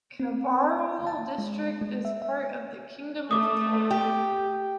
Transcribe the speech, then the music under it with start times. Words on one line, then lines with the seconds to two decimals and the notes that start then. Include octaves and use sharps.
Kabarole District is part of the Kingdom of Toro.
0.20 C4
1.07 A5
1.38 G#3
1.81 G#3
2.05 E5
2.22 E5
3.31 A3 D6 D#6
3.91 G4 G5